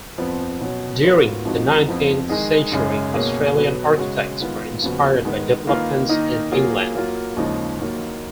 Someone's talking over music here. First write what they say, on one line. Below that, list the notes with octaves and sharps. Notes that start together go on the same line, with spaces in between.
During the nineteenth century, Australian architects were inspired by developments in England.
F2 F3 B3
B2 F#3 C#4
F#3 B3 F4 A#4 C#5
F2 F3 G#3 D#4 F#4
F2 F3 B3
D#3 G#3 D#4 G#4
F#2 C#3 G#3
B2 A#3 C#4 G#4
B2 F#3 B3
C#3 G#3 C#4 F#4
D#3 G#3 B3 F4
D#2 C#3 F3 B3 F#4
D#3 G#3 B3
D#3 A#3 F4 B4 F5
D#3 A#3 D#4
F#3 A#3 F4 G#4
F#3 A#3 F4
D#2 C#3 F3 G#3 D#4
D#2 D#3 F#3 A#3